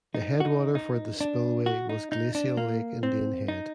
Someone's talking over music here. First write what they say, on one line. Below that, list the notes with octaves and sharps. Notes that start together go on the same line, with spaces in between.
The headwater for the spillway was glacial Lake Indian Head.
D#4
F#4
D#4
D#4
D4
F#4
D#4
D#4
D4
A#3
C4
D#4